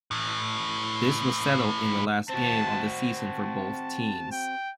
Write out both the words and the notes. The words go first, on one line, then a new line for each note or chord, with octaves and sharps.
This was settled in the last game of the season for both teams.
A2 E3
C4 F#4 A5
A5
G5